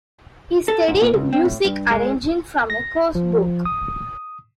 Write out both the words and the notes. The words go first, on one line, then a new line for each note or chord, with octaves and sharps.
He studied music arranging from a course book.
A4
G#2
A#2
C#2
C4
A2
G2
G#3
A#6
F3
D#6